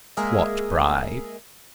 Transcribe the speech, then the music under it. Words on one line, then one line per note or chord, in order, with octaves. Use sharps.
What bride?
G#3 A#3 G#4 A#4 D#5 E5